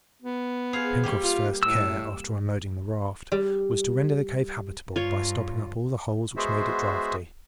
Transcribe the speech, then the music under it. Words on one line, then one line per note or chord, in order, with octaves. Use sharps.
Pencroft's first care, after unloading the raft, was to render the cave habitable by stopping up all the holes which made it draughty.
B3
G#4 C5 F5
G3 A#3 G4
F4
A2 E6
G3
G2 F4 C#5
G#3 B3 F#4 G#4 C5 E5